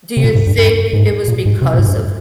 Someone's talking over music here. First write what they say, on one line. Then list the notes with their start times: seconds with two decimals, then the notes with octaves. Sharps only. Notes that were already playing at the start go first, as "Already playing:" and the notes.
Do you think it was because of
0.17 C3
0.24 A#2
0.35 G#2
0.47 G2
0.58 G2
0.93 G#2
1.28 A#2
1.46 G#2
1.62 C3
1.74 A#2
1.79 G#2
1.88 G2